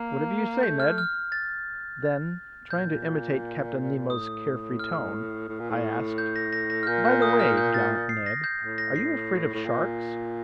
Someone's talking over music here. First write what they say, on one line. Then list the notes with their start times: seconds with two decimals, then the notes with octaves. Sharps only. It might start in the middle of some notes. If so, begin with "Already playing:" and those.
"Whatever you say, Ned." Then, trying to imitate Captain Nemo's carefree tone, I asked, "By the way, gallant Ned, are you afraid of sharks?"
Already playing: A#3
0.63 A3 G6
0.80 F6
0.98 F6
1.32 A6
2.70 A#2 G6
4.10 A2 D#6
4.79 F6
5.49 A2
5.60 A#2
5.70 A2
6.18 G6
6.36 A#6
6.53 A#6
6.70 A#6
6.83 F6
6.87 A#2 G6
7.05 G6
7.22 D#6
7.40 F6
7.57 G6
7.74 A6
8.09 C7
8.26 A#6
8.44 G6
8.61 A2
8.78 A#6
8.96 C7
9.54 A2
9.66 A#2